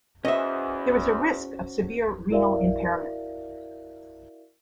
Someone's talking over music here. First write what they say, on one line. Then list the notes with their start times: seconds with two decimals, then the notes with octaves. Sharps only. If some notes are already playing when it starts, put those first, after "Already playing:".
There is a risk of severe renal impairment.
0.25 E2 C#4 F#4 C5 D#5 E5
2.30 E4 F#4 A#4 D5 E5 F5